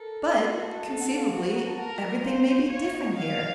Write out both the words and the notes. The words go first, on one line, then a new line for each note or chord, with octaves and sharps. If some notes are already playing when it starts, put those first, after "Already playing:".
But, conceivably, everything may be different here.
Already playing: A4 A#4
F#4
D#5
A5
A5
A4 A5
F#5
F5
F#4 F#5
A#5
A5
A#4 F#5
C5 F5
C#5 F5
F#5
D#5
F#5
F5 F#5